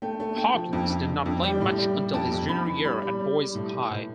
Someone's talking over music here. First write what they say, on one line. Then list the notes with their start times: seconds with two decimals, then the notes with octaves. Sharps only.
Hawkins did not play much until his junior year at Boys High.
0.02 A3 G5
0.20 A3
0.37 A3 G5
0.55 F3
0.73 F2
0.90 F2
1.08 D3
1.26 F2
1.43 G3 G5
1.61 A2
1.78 G3
1.96 G3
2.14 F2 A5
2.31 F2
2.49 F2 B5
2.67 E3
2.84 G3 B5
3.02 G3
3.20 G3
3.37 G3
3.55 A2
3.73 E3
3.91 A2